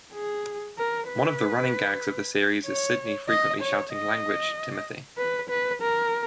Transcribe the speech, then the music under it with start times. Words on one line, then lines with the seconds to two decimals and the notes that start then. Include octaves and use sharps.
One of the running gags of the series is Sidney frequently shouting Language, Timothy!
0.14 G#4
0.78 A#4
1.08 B4
2.66 C#5
3.29 D#5
3.61 C#5
3.92 D#5
5.18 B4
5.50 B4
5.82 A#4